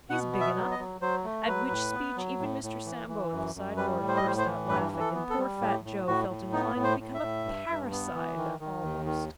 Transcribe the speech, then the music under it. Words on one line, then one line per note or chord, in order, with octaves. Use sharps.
"He's big enough." At which speech even Mr. Sambo at the sideboard burst out laughing, and poor fat Joe felt inclined to become a parricide almost.
B2 F#5
B3
E5
F#3
D#5
F#3
F#3 C5
A3
F#3 B4
A2
B3
F#3
A2
A2
E3
E3
F#2
F#2
G3 B4
A2
C5
D#5
A2 C5
C5
E3
G2 B4
E3
A4
B3
A4
G3
A2 G4
A2
A2 F#4
A2
B3 D#4
A2
C5
A2
E5
A2
G2
G2
B3
E3
D#3
D#3
D#2
D#3